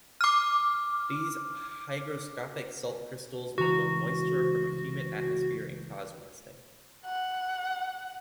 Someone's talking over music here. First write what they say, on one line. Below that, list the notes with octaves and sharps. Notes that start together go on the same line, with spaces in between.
These hygroscopic salt crystals will hold moisture from a humid atmosphere and cause rusting.
D6 F6
C#2 E3 F#4 A#5
F#5